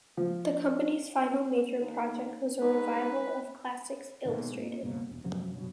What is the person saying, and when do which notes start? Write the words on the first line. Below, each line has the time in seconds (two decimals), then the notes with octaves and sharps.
The company's final major project was a revival of "Classics Illustrated".
0.17 F3
1.81 D#2
2.62 G#2 B4
4.25 G#2 B2 D#3
4.55 A#3
4.83 C#2 G2 B2 A#3
5.09 E1
5.24 F#2 C3 F3 F#3
5.55 G2 B2 F#3